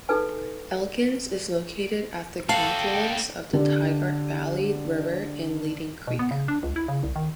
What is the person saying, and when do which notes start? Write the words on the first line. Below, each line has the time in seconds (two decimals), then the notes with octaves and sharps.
Elkins is located at the confluence of the Tygart Valley River and Leading Creek.
0.09 D#4 G#4 A4 B4 G#5
2.49 F#4 A4 F5 G5 A5
3.53 D3 G4
6.07 B2
6.19 B3
6.31 C#3
6.48 D4
6.63 C#2
6.76 E4
6.88 C#3
7.03 C2
7.16 D#3